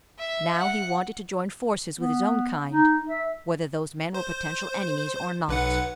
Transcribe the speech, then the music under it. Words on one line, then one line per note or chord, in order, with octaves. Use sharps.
Now he wanted to join forces with his own kind, whether those men were potential enemies or not.
E5
F#5
B3
D#4
E5
C5
B1 B4 F#5